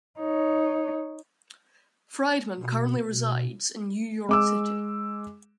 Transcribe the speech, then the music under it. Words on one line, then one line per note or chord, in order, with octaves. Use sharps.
Friedman currently resides in New York City.
D#4 C#5
B2
B2
G#3 D6 E6